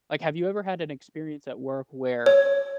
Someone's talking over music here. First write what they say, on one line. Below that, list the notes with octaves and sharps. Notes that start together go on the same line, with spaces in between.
like, have you ever had an experience at work where
C#5